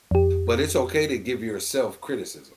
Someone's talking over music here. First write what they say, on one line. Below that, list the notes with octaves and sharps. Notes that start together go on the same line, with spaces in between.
but it's okay to give yourself criticism,
F2 G4